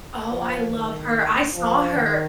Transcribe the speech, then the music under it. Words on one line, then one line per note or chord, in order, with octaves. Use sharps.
Oh, I love her, I saw her,
F3
D#3
F3
D#3